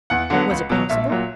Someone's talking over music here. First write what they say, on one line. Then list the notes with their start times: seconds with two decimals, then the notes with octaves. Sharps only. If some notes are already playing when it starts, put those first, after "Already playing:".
Was it possible?
0.10 E2 F#5
0.30 D3 F#3 B3
0.51 C#2
0.70 B2 F#3
0.90 A#1 E5
1.10 A#2 F#3